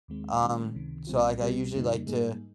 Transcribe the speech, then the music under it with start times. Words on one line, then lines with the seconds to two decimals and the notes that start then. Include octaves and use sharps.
Um, so, like, I usually like to,
0.08 D#2 D#3 G#3 C4
0.42 D#3 G#3 C#4
0.75 C#2 C3 D#3
1.07 C2 A#2 G3 C4 F4
1.40 C2 C3 G3 C4 G4
1.73 F2 C#3 G3 A#3 D#4
2.06 G#2 G3 A#3 D#4 G#4